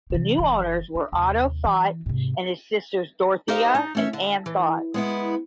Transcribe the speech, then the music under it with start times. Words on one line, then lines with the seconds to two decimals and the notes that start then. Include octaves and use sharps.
The new owners were Otto Thott and his sisters Dorothea and Anne Thott.
0.10 C3 E3
0.39 F#1 E3
0.95 D4
1.12 D#2 C3
1.65 E3
2.06 G#2 C3
3.48 D#4 G4 A#4 C5 D#5 F5
3.75 D#4
3.95 A3 C#4 E5
4.13 D3
4.46 E3
4.94 G#3 B3 E4